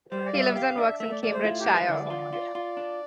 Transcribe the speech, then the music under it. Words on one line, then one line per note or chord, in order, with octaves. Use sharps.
He lives and works in Cambridgeshire.
G3 C5
D5
G3 F5
E5
G4 F5
D4 E5
A3 E5
D5
A3 D5
C5
E4 F4
G4
E4
B4
D3 D5
F4
F4
F4
D4